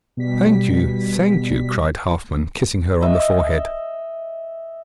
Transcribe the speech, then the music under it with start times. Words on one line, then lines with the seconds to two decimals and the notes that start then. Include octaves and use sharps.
'Thank you, thank you!' cried Halfman, kissing her on the forehead.
0.17 B2 G3 B6
3.01 D#5 E5